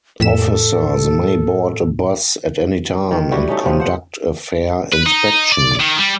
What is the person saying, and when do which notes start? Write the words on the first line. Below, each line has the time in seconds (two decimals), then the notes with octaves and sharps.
Officers may board a bus at any time and conduct a fare inspection.
0.20 F2 A2 A4 B6 E7
3.11 D#3
3.32 G3 E4 F#4 G4
3.48 A3 B3 C#4 D#4
3.64 C3 F3 B3 C4
3.80 C5 F#5
4.93 B4
5.06 D#4
5.52 D5
5.80 D#3
5.99 G3